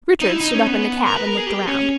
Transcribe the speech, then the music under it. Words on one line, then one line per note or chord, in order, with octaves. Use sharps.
Richard stood up in the cab and looked around.
D#4
E4
D#4
C#4
B3
A#4
B4
A#4
G#4
G4
C#4